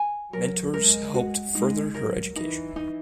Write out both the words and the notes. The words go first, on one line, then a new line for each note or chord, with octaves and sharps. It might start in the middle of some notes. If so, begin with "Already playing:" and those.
Mentors helped further her education.
Already playing: G#5
F#3 A#4
G#3 A#4
F#4
G#3 D#4
F#3 A#4
E3 D#4
D#4